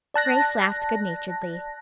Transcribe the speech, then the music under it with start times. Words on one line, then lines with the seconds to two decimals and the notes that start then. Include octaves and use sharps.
Grace laughed good-naturedly.
0.14 D5 A5 F#6 A#6